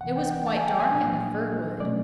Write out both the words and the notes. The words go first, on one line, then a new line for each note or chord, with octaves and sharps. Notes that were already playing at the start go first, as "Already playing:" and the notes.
It was quite dark in the fir wood.
C#2 C3 E3 F#5
G5
G5
A5
G#5
G5
G#5
A#2 F#3 A#3 D4
B2 F#3 A3 C#4 D5